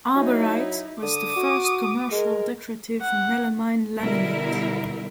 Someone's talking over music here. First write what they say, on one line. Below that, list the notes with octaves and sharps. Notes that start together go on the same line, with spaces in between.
Arborite was the first commercial decorative melamine laminate.
F#3 D#4 E4
D3 D6 D#6
F#4
G#3 A#4
F#5
B2 D3 G3 E4 A#4